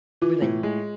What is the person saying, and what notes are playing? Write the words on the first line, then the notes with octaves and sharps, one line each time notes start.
when they
E3 F4
A2
G#3